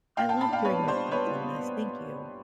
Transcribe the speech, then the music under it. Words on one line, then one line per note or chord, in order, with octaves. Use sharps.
I loved hearing your thoughts on this. Thank you.
A#2 F5 G5
B3 G5 A5
A5 B5
D4 F5 G5
B3 B4 C#5
G3
C5 D5
D4
B3 B4 C#5
G3
B3
B3